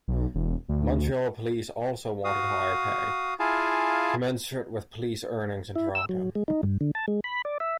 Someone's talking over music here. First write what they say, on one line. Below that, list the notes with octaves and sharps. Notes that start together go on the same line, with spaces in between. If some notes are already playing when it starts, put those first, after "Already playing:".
Montreal police also wanted higher pay, commensurate with police earnings in Toronto.
B1
E1
D2
F#4 F5 D#6
E4 F4 G#4 F5 G#5 A5
E4
E6
F#3
G#3
D#4
G2
D3
A5
G#3
B5
D5
E5